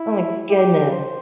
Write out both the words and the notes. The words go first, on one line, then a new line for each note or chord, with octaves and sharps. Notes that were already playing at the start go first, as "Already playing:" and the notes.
Oh my goodness.
Already playing: E4
G4
C5